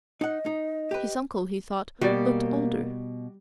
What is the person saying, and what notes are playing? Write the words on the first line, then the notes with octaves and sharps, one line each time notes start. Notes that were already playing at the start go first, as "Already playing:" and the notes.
His uncle, he thought, looked older.
D#4 D#5 F#5
D#4
G4 B4
B2 G3 A#3 F#4 G4 D5